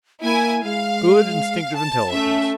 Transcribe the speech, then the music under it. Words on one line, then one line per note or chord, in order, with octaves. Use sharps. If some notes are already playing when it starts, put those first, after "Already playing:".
Good instinctive intelligence.
A#3 E4 G#5
G#3 F5
A5
A3 C#4 E5